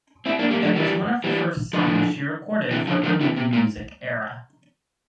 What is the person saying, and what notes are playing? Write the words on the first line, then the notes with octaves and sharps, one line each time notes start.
It was one of the first songs she recorded for her "new music era".
C4 E4
A#3 D4
G3 A#3
F3 A3
E3 G3
E3 G3
D3 F3
C3 E3
D3 F3
D3 F3
C3 E3
C3
A#2